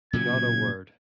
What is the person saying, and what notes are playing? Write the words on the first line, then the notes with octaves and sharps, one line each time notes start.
Not a word.
A#2 C#3 F#3 G#6